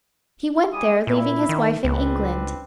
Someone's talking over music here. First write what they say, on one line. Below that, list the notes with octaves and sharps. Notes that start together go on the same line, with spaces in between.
He went there, leaving his wife in England.
G3 G#5 D#6
A#2 E4
D#3
C#2 C4 D4 B4